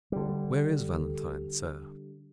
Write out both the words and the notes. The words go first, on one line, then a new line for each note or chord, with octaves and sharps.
Where is Valentine, sir?
D3 G3